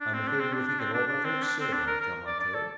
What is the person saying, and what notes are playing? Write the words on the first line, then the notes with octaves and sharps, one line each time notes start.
I am afraid you will think it all rather absurd when I tell my tale.
D4
C4
D4
C4
D4
D4
C4
D4
D4
C4
D4
C4
D4
A#4
A#4
D5
D5
A4